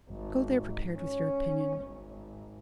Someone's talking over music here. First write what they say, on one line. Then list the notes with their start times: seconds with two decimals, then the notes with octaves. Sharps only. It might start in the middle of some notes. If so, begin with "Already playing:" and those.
Go there prepared with your opinion.
0.10 G#1
0.96 C#4
1.79 G#1